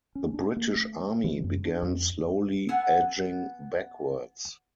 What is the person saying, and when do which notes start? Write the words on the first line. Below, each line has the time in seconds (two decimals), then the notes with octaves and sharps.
The British army began slowly edging backwards.
0.15 C#4
0.34 D4
0.57 A#3
0.76 A3
1.24 E3
1.44 F#2
1.65 D4
1.83 F2
2.69 B3 F#5 G#5 E6